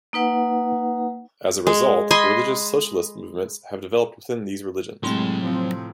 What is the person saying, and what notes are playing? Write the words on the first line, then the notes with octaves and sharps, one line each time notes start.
As a result, religious socialist movements have developed within these religions.
A#3 D#4 B4 F#5
G#3
D#5 G#5 B5 C6
A2 C3 F#3 G#3 C6
F3 C4